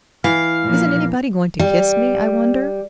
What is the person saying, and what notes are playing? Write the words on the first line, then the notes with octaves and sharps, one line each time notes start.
"Isn't anybody going to kiss me, I wonder!"
E3 F5 F6
A#2 F3 A#3
G3